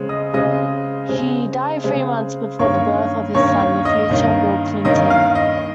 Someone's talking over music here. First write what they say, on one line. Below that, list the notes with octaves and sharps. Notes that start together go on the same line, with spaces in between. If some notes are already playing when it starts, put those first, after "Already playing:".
He died three months before the birth of his son, the future Bill Clinton.
Already playing: C#3 G#3 C4
D#5 D#6
C#3 G#3 C4 D#5 D#6
C#3 G#3 C4
C#3 G#3 C4
G2 D#3 A#3 C#4 C#5 C#6
G2 D#3 A#3 C#4 C#5 C#6
C#5 C#6
D#5 D#6
G2 D#3 A#3 C#4
G2 D#3 A#3 C#4 D#5 D#6
F5 F6
D#5 D#6